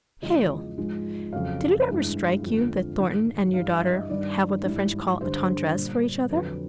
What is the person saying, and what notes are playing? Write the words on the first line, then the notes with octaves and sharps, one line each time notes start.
'Hale! did it ever strike you that Thornton and your daughter have what the French call a tendresse for each other?'
E2 C#3 F3 G#3 D#5
G#2 F3 G#3
F2 C#3 F#3 F5
G2 E3 G#3
F2 D3 F3 G#3
G#2 D#3 G#3
G2 E3 G3 F5
E5
D#5
G2 D#3 G3 D5
G#2 E3 G3
G2 D3 G3 C5
A#2 G3
F2 D3 F#3 B4